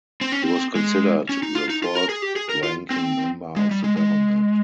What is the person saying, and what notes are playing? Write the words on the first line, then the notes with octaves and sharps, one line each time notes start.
He was considered the fourth-ranking member of the government.
C4
C#4
C4
G#3
C#4
D#4
F4
D#4
F4
A#4
G#4
G4
G#4
A#4
F4
C4
G#3
G3
G#3
G#3